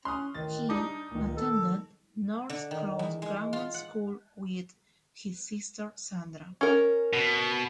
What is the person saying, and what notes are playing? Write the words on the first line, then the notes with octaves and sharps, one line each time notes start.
He attended Norcross Grammar School with his sister, Sandra.
C#4 C6 C#6 D#6 F6 F#6
A1 D#3 D#5 A6
G3 D4 D#4 A5 D6 D#6
C#2 A#2 D#3
A4
D3
D#3
E2
G#3
F4
F#5
C#4 A#4
B2